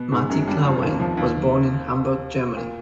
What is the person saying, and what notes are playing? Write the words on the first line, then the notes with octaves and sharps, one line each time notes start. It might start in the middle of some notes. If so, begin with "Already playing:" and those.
Mati Klarwein was born in Hamburg, Germany.
Already playing: B2 B3
G#2 G#3
F#2 F#3
G2 G3
F2 F3
D#2 D#3
F2 F3
D#2 D#3
A#2